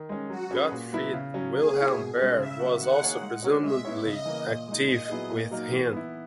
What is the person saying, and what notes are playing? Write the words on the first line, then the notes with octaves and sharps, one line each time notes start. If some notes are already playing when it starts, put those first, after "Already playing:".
Gottfried Wilhelm Baer was also presumably active with him.
Already playing: D#3
G#3 C#4
F#3 F#4
C#4 G#4 B4
A#2
F#3 B3 E4 B4
C#3
F#3 C#4
A#3 G#4
E4 A#4 C#5
B2
G#3 C#4
C#3 E5
F#3 B3 F#4
D#3 F#5
A#3 D#4 G#4 C#5
G#3
C#4 F#4 A#4 C#5
G#3 E5
B3 E4 G#4 C#5
C#3 D#5
E3 A#3
A#2
G#3 D#4
A#2 D#5
F#3 B3 E4 G#4
A#2
F#3 A#3 D#4 A#4
E3
B3 E4